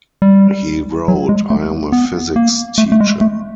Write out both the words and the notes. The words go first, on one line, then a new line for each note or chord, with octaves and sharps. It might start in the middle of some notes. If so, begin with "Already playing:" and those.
He wrote: I am a physics teacher.
G3
F#3
G#3
A3
B3
A#3
A3
A3
G#3
A3